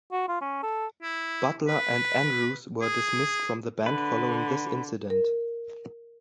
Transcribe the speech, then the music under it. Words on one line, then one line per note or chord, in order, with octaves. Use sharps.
Butler and Andrews were dismissed from the band following this incident.
F#4
F4
C#4
A4
E4
B4
G#4
D3 B4
A#4